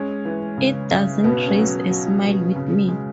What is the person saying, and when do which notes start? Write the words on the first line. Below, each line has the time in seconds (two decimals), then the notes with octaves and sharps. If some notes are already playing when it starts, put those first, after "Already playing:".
It doesn't raise a smile with me.
Already playing: G#3 C#4
0.25 E3
0.58 C#3
0.91 C#3
1.24 B2 B3
1.46 C#4
1.57 F#3
1.90 F#3
2.23 B2
2.56 C#3
2.88 G#3